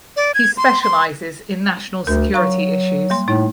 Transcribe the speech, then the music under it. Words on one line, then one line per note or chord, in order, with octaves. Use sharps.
He specialises in national security issues.
D5
G#6
C6
C6
D2 D4 A#4
F#3 F5 A#5 C#6
G3 A#3 C6
A2 A3 D#4